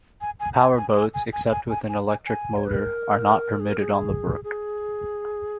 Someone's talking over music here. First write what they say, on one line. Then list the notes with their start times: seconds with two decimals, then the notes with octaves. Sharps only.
Power boats, except with an electric motor, are not permitted on the brook.
0.21 G#5
0.40 G#5
0.58 G#5
0.77 G#5
0.95 G#5
1.14 G#5
1.33 G#5
1.51 G#5
1.70 G#5
1.89 G#5
2.07 G#5
2.26 G#5
2.56 C#5
2.65 B4
2.75 A#4
3.60 G#4
3.69 A#4
3.80 G#4
4.44 G#4